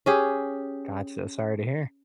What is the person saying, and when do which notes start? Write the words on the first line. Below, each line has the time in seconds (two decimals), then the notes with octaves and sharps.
Gotcha. Sorry to hear.
0.06 C#4 G4 G#4